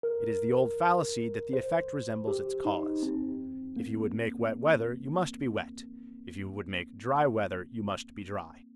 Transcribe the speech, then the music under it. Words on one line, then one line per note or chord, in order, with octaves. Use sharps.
It is the old fallacy that the effect resembles its cause: if you would make wet weather, you must be wet; if you would make dry weather, you must be dry.
A#4
C5
G4
D#4
C4
A#3